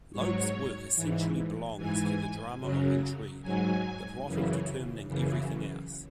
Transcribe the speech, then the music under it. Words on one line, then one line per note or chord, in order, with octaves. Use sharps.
Lope's work essentially belongs to the drama of intrigue, the plot determining everything else.
G#2 F#3 C#5
G#2 E3
G#2 E3 G#5
F#2 C#3 F#3
G#2 F#3 G#5
F#2 C#3 E3
F#2 C#3 E3